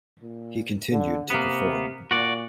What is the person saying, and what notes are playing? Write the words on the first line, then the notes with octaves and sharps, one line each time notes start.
He continued to perform.
A#2
D3
C3 A#3 B3
A#2 F#4 D5